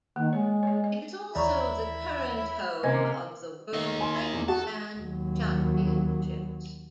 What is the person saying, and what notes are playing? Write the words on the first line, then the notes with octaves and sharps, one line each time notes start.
It is also the current home of the world pipe band championships.
D#3 A#3
G#3 C#5
C#5 D#5
D#5
D#2 E3 C#5 D5 E5 A#5 B5 C#6
C3 A#3 C#4 A#4 C5 D#5 G#5 G#6
A#3 D#4
G#5 C6
E2
F#4 G#4 A4 A5
D#2 F#3